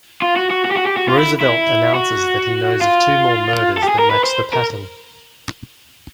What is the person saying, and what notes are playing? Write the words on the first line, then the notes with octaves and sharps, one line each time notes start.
Roosevelt announces that he knows of two more murders that match the pattern.
F4
F#4
F#4
F#4
G4
F#4
G4
F#4
F4
E4
E4
F#4
F4
A4
G4
G#4
A#4
B4
C5
A#4